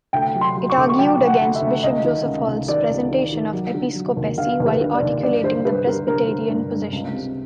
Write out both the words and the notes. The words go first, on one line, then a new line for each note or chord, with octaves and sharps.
It argued against Bishop Joseph Hall's presentation of episcopacy, while articulating the Presbyterian positions.
D2 G5
F#3
C6
F#3
C#6
D2 D6
C#6
F#3 G5
D2
F#5
D2
E5
D2
C#2 D#5
D#3
C#2
C#2
D#3 D5
C#2
D#3
D#3
F#3
D3
F#3
D#2
D3 F5
D#2
B4
D3
D5
D#2
G2 D5
D3 C5
G2 B4
D3 A#4
D3 A#4
D3
G2
G2
C#2
C3